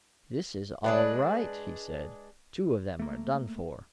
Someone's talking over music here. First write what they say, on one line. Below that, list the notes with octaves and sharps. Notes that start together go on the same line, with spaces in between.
'This is all right!' he said; 'two of them are done for.'
G#3 D4 B4
A3 A#3